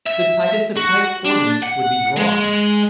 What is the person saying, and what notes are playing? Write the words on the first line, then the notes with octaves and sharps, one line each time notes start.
The tightest of tight cordons would be drawn.
E5
F#4
D4
F#5
G#3